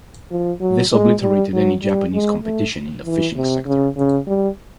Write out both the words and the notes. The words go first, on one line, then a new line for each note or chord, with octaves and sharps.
This obliterated any Japanese competition in the fishing sector.
F3
F#3
G#3
G3
F#3
G3
G#3
A3
E3
C3
C#3
C#3
G3